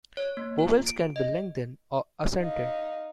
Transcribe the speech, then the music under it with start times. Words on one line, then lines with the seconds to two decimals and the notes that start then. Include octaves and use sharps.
Vowels can be lengthened or accented.
0.17 C#5
0.37 A#3
0.59 F4
0.87 D7
1.16 D#5
2.37 D#4 F5